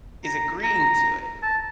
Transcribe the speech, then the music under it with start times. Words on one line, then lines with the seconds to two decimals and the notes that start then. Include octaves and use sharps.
is agreeing to it,
0.25 A#5
0.64 A#5
1.43 A5